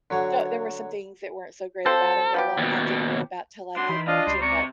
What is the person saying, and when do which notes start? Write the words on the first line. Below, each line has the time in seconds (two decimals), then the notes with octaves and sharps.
there there were some things that weren't so great about him that a lot I didn't know about 'til I did watch it, but
0.10 D3 F#3 C#5
1.86 F3 C4 A4 C5
2.34 F3 B3 G4
2.57 D#2 B2
3.77 G2 D4 F#4 C6
3.89 D#3 E3 B5
4.07 D4 F4 D#5 F5
4.27 C#2 G3 C6
4.41 C3 D5 A#5 C#6